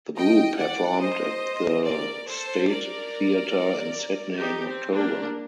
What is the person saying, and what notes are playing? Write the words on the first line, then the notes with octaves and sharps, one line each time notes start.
The group performed at the State Theatre in Sydney in October.
D#5 G5
D5 F#5
C5 D#5
A#4 D5
A4 C5
A#4 D5
D#4 G4
C4
A#3 D4